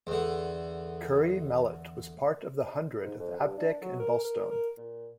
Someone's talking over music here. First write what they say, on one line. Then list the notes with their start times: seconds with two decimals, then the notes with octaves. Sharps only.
Curry Mallet was part of the hundred of Abdick and Bulstone.
0.07 E2 D3
3.04 G#2
3.19 F2
3.39 G2
3.57 D4
3.82 F#3
3.99 A#4
4.24 A#4
4.51 A#4
4.78 A#2